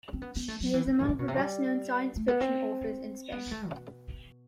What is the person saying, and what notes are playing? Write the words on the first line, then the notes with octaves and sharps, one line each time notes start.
He is among the best-known science fiction authors in Spain.
C4
B3
B3
A3
F#3
E3
E3
D#3
D#3
B2
C3
G3
A3
B3
C4
B3
A3
B2